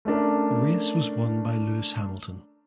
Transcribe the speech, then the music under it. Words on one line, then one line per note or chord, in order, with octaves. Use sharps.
The race was won by Lewis Hamilton.
A3 C#4 D4 A#4